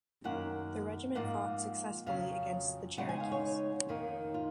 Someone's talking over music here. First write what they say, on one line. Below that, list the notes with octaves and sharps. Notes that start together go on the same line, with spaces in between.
The regiment fought successfully against the Cherokees.
F#2 D#3 A#3 F#5
G#2 F3 A#3 F#5
F2 C#3 F#3 F5
C#3 G#3 B3 D#4 F#5
G#5
F5
C#5
F2 D#3 A#3 D#4
F4